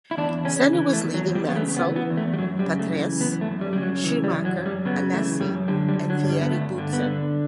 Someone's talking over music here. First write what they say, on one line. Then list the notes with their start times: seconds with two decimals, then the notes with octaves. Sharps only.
Senna was leading Mansell, Patrese, Schumacher, Alesi and Thierry Boutsen.
0.11 E4
0.17 E2 D4
0.45 C#3 C#4
0.73 E3
0.93 A3
1.00 E2
1.14 F#3
1.28 E2
1.35 G3
1.49 B3
1.55 C#3 A3
1.77 B3
1.83 E3
1.96 B3
2.10 E2
2.17 A3
2.34 G3
2.38 F#2 F#3
2.59 G3
2.66 C#3
2.79 A3
2.93 E3
3.21 F#2 B3
3.41 A3
3.48 F#2
3.61 G3
3.73 C#3 G3
3.82 F#3
4.04 E3
4.24 G3
4.31 F#2
4.45 F#3
4.58 F#2
4.66 G3
4.85 C#3 B3
5.13 E3 A3
5.40 F#2 G3
5.68 D3 G3
5.88 G3
5.96 D3
6.10 F#3
6.23 G2
6.30 G3
6.41 B3
6.51 G2 A3
6.78 D3
6.93 B3
7.06 D3